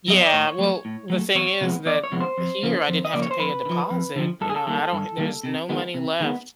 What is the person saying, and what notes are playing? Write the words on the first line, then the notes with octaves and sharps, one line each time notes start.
Yeah, well, the thing is that m here I didn't have to pay a deposit. You know, I don't h there's no money left
F#3 B3 D#5
D5
A2 C#5
F#3 A3
A2
F#3 A3
E2 C#5
C3 F3 G#3 B3
E2 D5
C#5
C3 F3 G#3 B3
C5
F2
C#3 F3 A#3
F2
D#5
C#3 F3 A#3 D5
C#5
C5
F2 B4
D3
F3
F2
D3 F3
G2 A4
G#4
A4
D#3 G3 A#3 A4
G2
D#3 G3 A#3
C3
D#3 G#3 B3
C3
D#3 G#3 B3